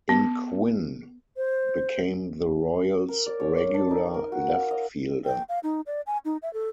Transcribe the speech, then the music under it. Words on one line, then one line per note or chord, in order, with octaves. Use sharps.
In Quinn became the Royals regular leftfielder.
B3
C5
A#4
D5
C#5
D6
D4
D#4
A#4
F#4
F5
D#5
G5
F5
D#4
D5
G#5
D#4
E5
A4